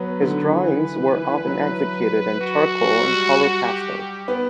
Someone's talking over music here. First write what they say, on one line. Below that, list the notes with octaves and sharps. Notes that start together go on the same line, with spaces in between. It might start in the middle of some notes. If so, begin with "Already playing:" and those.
His drawings were often executed in charcoal and colour pastels.
Already playing: F#3 B3 B4
D3
E3
E3
F#3
F#4
G3
G4
B3